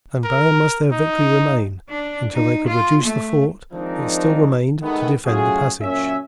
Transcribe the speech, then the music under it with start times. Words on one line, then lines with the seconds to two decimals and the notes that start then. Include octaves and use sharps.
And barren must their victory remain until they could reduce the fort that still remained to defend the passage.
0.24 A#4
0.92 D#4
1.89 D4
2.33 D#4
2.67 F4
3.03 A3
3.73 D#3 F3 G#3 C4 D4 D#4
4.82 D#3 G#3 A3 B3
5.25 F#3 A3 C#4 F4 F#4 G#4
5.81 F#2 A#2 C#4 C#5 E5